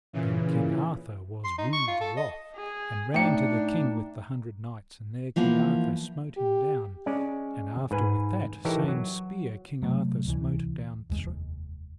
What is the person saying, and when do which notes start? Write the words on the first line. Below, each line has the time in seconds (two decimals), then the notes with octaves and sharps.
And then King Arthur was wood wroth, and ran to the King with the Hundred Knights, and there King Arthur smote him down; and after with that same spear King Arthur smote down three other knights.
0.13 A#2 C#3 E3
1.44 C6
1.58 D#4
1.73 C#6
1.87 F4
2.01 A4
2.17 D#5
2.55 G#4
3.14 A2 D4 D#4 E5 G5 A#5 C#7
5.36 E3 F3 A#3 B3
6.37 G4
7.06 G#3 C#4 D5
7.91 G#2 B4 G#5
8.65 E3 D#4 G4 A4 A#4 C#5
8.88 F#3
9.82 C3 F#3 A3
10.25 D1 C2 E3
11.10 F1 D#2 G#3